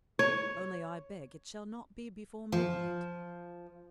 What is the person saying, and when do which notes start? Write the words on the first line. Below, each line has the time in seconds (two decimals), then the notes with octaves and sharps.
"Only I beg it shall not be before midnight."
0.19 C#5
2.52 F3